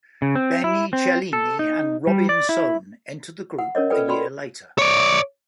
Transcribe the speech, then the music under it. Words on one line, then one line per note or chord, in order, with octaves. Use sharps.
Benni Cellini and Robin Sohn entered the group a year later.
C#3
C4
E4
C4
A4
D#4
G3
D5
E4
F#5
C#4 A#4 C#5 D#5
F4 A4 B4 D5 G5
F#4 D5 G5 B5 C6
C#5 D5